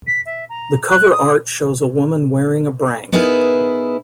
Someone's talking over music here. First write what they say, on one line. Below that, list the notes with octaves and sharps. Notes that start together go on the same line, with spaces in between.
The cover art shows a woman wearing a brank.
B6
E5
A#5
F#6
D#6
B3 D#4 E4 G#4 A#4 B4